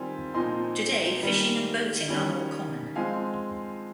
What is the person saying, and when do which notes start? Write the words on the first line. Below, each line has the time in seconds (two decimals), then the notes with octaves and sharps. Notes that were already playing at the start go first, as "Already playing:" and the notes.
Today fishing and boating are more common.
Already playing: D#3 G3 C4 F4 G#5
0.34 A#2 F3 C4 D#4 G#5 C6
1.22 D#3 G3 A#3
2.08 D#3 G3 C#4
2.95 F3 G#3 C4 F5 G#5